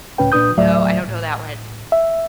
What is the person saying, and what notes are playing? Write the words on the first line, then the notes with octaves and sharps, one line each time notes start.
No, I don't know that one.
C#2 A2 C#4 B4 G5
A#2 D4 B4 D#6 G6
D2 A2 F#3 A3 D5 E5
A2
E5